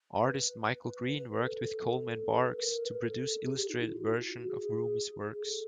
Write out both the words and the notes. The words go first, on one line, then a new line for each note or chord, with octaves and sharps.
Artist Michael Green worked with Coleman Barks to produce illustrated version of Rumi's works.
B4
B4
A4
B4
A#4
B4
A#4
A4
G#4
G4
D#4
E4
F4
F#4
G#4
G#4
A4